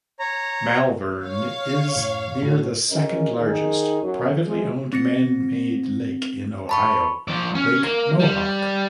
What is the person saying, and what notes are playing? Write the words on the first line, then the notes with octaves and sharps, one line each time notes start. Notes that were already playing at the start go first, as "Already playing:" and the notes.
Malvern is near the second largest privately owned man-made lake in Ohio, Lake Mohawk.
C#5 A#5
C#5 F5
F#2 A2
A2 F#4
F#2 C#3 C#4 A#4 D#5
D#3 D#4 G#4
F#2 F#3
E3 F3 G#3 G#4
C4 A#6 C#7
A5 B5 C#6
F3 D5
C#4
A#3
G3